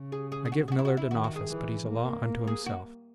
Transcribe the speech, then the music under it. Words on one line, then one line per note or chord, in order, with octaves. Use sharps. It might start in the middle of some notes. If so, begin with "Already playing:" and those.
I give Millard an office but he's a law unto himself.
Already playing: C#3
G#4
G#4
G#4
F#4
G#4
F#4
E4
F#4
E4
D#3 F#4
F#4
G#4
E3
A#3
G#4
F#4